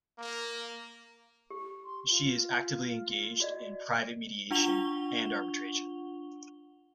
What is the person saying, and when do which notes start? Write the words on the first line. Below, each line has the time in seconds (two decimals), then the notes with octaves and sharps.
She is actively engaged in private mediation and arbitration.
0.19 A#3
1.50 G4
1.85 C6
2.10 F4
3.40 F#4 D5 D#5
4.51 D4 F4 F#5 C#6 F7 G7